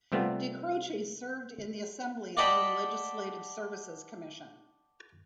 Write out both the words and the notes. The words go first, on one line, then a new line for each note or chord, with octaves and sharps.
DeCroce served in the Assembly on the Legislative Services Commission.
C3 G3 A3 B3 C4 F4
D5 D#5 F#5 G5 A5 B5